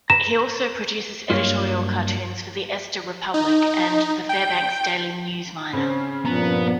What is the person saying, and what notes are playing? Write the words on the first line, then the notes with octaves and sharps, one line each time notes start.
He also produces editorial cartoons for "The Ester Republic" and the "Fairbanks Daily News-Miner".
B4 A#5 E7
G2 F#3 A#3 F4 C#5
D#4
G5
C#3 C4 C#4
G2 A#2 F3 B3 A#5